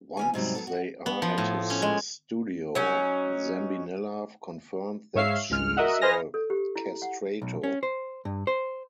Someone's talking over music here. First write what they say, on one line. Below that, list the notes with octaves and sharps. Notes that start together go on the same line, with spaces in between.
Once they are at his studio, Zambinella confirms that she is a castrato.
E2 C#4 G#5
G#2 C3 F#3 G3
F#3 B3 A4
F#4
B3
F3
A2
C#4
G#3
F#3 C#4 D#4
G#2 C#5 E5 F5 C7
G#1 C#2 G#3 F6
F#4 A#4 D#5 E5 F#5
B4 C5 D#5 G#5 F6 A#6
A4
G4
E4
F#5
B1
C#4
C5
G2
C5